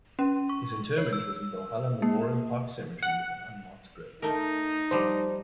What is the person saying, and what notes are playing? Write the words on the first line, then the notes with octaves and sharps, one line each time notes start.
His interment was in Valhalla Memorial Park Cemetery with an unmarked grave.
C#4
C#6
C#5
E6
A#3
F#5
A3 D#4 A#4
F3 G3 C5